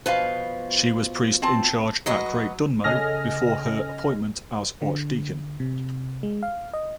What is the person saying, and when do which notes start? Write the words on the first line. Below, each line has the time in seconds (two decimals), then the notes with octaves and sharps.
She was Priest in charge at Great Dunmow before her appointment as Archdeacon.
0.06 B2 F3 B4 F5
1.42 C4 A5
2.06 F#3 F#4 B4 D#5
2.84 C#3 A4 D#5 G#5 F6 A#6
4.82 D3
5.60 C3
6.23 G#3
6.43 F5
6.73 D#5